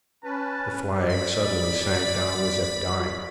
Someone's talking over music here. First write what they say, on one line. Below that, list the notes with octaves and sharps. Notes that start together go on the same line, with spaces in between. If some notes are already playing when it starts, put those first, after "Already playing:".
The flag suddenly sank down as if dying.
C#4 B4 A5
D5 B5